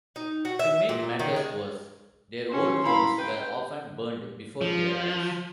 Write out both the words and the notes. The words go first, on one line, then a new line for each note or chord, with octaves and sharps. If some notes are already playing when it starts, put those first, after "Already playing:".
To make matters worse, their old homes were often burned before their eyes.
D#4
F#4
E5
A#2
D#3
G#3
C#4 C6
E4 F5 A#5 B5
B4 G5
F3